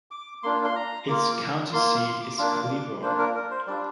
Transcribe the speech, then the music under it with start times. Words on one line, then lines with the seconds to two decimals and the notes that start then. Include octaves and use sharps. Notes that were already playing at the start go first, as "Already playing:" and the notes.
Its county seat is Cleburne.
0.11 D6
0.43 A#3 D4 F4 C6
0.64 C6
0.76 A#5
1.08 A#3 F4 D6
1.73 A#3 F4 C6
2.05 C6
2.21 D6
2.38 A#3 D4 F4 D6
3.02 A#3 D4 F4 C5
3.18 A#4
3.35 A#4
3.51 C5
3.67 G3 D4 F4 D5